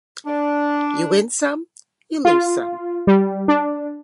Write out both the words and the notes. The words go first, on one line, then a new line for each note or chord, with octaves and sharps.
You win some, you lose some.
D4
F4
G3
D4